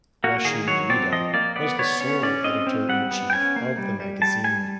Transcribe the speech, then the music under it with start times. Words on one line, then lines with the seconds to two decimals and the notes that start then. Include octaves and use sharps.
Rashid Rida was the sole editor-in-chief of the magazine.
0.24 A#3 F#4
0.45 D#3 G#4
0.67 F#3 C#5
0.90 C4 D5
1.12 F3 D#5
1.34 A#3 D5
1.56 B3 D5
1.79 B3 C#5
2.01 C#4 C#5
2.23 C#4 D5
2.44 C4 D#5
2.67 C4
2.89 G3 F#5
3.11 B3
3.30 G5
3.33 C#4 G#5
3.56 A#3
3.78 G3
4.00 G3
4.22 G3 A5
4.44 G3 G#5